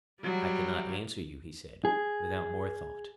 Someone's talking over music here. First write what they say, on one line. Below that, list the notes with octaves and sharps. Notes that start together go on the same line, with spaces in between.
I cannot answer you, he said, without more thought.
F#3 G3
G#4